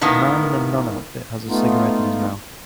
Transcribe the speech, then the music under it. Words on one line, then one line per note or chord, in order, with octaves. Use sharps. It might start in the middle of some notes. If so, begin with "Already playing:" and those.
A man in a nun outfit has a cigarette in his mouth.
A2 D#3 A#3 B3
A3 B3 D#4 F4